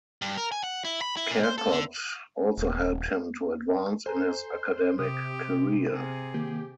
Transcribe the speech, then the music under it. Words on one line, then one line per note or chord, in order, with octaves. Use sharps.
Charcot also helped him to advance in his academic career.
G2
A#4
G#5
F#5
E4
B5
E4
A#2
C5
A4
D3
D#1
A4 C5 G#5 A#5
C3 G4 D#6
C3 G#4
D#3 A#3 G4